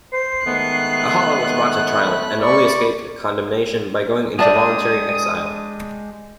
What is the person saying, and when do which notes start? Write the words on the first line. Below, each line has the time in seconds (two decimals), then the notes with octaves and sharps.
Ahala was brought to trial, and only escaped condemnation by going into voluntary exile.
0.13 C5 C7
0.46 D#3 G#3 A3 B3 F#6
1.95 B5
2.41 D5 C#6
4.39 G#3 D4 G4 D5 E5 A5 D#6